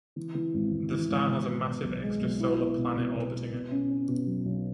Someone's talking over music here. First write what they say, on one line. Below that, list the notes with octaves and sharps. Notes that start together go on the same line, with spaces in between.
The star has a massive extrasolar planet orbiting it.
E3
E3
G#1
G#1
E3
G#1
B2
B3
B2
B1
G#3
B1
E4
B3
B2
B2
B2
B3
B2
C#4
C#4
B2
F#3
B1